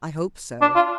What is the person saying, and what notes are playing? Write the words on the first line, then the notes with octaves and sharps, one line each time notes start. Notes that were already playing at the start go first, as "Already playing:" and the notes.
"I hope so."
D4
F4